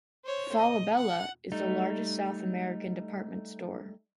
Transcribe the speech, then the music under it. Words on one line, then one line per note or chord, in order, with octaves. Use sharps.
Falabella, is the largest South American department store.
C5 C#5
D#5
F#5
G3 A3 D#4